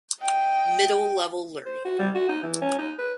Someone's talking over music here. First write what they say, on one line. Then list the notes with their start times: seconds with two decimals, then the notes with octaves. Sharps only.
Middle Level Learning.
0.21 D#5 G5
1.66 C5
1.85 F#4
1.99 G3
2.15 F#4
2.29 D#4
2.43 E3
2.61 C#4
2.78 D#4
2.98 B4